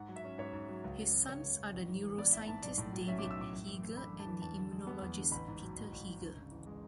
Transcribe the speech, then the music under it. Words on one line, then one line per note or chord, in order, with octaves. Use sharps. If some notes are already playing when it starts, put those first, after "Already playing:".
His sons are the neuroscientist David Heeger and the immunologist Peter Heeger.
Already playing: G#2 F#5
F#3
E5
C#4
G#2 C#5
G#2
F#3
C#2
C#3
F#3
C#2 C#5
C#2
C#3
A1
G#2
E3
B3 D5
A1 E5
G#2 A5
B1 D5
A2
F#3
C#4 E5
B1 D6
E6
A2 D6
F#2
E3
A3
D4 B5
F#2
A5
E3
E2 A5
D3
G#3
B3
E2
D3
A1 B5
G#2
F#3
A1
A1
G#2
D2
C#3
E3
G#3